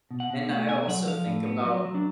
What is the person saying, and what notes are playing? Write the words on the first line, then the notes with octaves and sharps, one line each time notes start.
and I also think about
B2
F#5
B2
A3 F#5
B2 G#5
F#3 F#5
F3 F5
A2
B3
F#3 F#4
F#3
D4